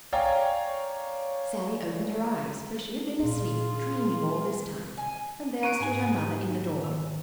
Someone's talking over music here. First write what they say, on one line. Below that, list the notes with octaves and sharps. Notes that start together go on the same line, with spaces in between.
Sallie opened her eyes, for she had been asleep, dreaming all this time, and there stood her mother in the doorway.
C#5 D5 F5 G5 G#5 A#5
A#2 C#4 F4 G#4
G#5
A#5 C#6 F#6 D7 D#7
G#2 C3 D#4 G#5
D#3